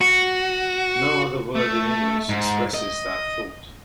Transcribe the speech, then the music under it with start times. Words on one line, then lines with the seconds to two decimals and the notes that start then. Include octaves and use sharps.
No other word in English expresses that thought.
0.01 F#4
1.55 A3
2.29 G#2
2.74 D#5